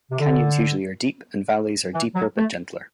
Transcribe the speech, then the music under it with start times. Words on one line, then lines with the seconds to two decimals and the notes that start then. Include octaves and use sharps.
Canyons usually are deep and valleys are deeper but gentler.
0.11 C3
0.20 D3
1.94 E3
2.15 F#3
2.37 A3